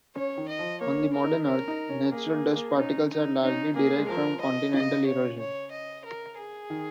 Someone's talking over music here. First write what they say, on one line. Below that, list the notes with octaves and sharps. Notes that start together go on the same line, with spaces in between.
On the modern Earth, natural dust particles are largely derived from continental erosion.
C#4 C#5
D#3
D#5
F3
A#3 C#5
C#4
A#4
D#4
C#4 A#4
D#4
C#4
A#3 G#4
A#3
A#3
C#4 D#4
D#4
C#4 D#4
A#3 G#4
G#3
F3 A#4
D#5
C#3 D#5
C#5
C#5
D#5
A#4
G#4
D#3